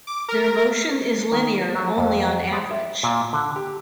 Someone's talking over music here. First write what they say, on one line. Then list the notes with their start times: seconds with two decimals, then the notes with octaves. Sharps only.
Their motion is linear only on average.
0.07 D6
0.28 A#4
1.32 D#3
1.74 F#3
1.98 F2
2.52 G#3
2.71 E5
3.03 A#2
3.33 D3
3.56 G4